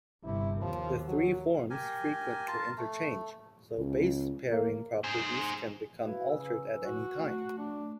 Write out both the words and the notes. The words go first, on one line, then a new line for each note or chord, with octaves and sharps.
The three forms frequently interchange so base-pairing properties can become altered at any time.
G1 C3 E4
D#2 F3
F#3
G4 A#4 G#5
F4 A#4 A5
A3
C#2
A#3
G#4 C5
E4 F#4 B4 F5
C#3 B4 G#5 E6
F#4
A3
D4